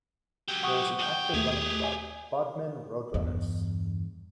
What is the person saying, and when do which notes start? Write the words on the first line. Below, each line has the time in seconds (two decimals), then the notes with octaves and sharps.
There is an active running club: Bodmin RoadRunners.
0.48 F#3 G4
0.63 F#5 C#6 D#6
0.99 G2 G5
1.34 D#2 A3 G4 G#4
1.84 G#5
3.14 E2 G2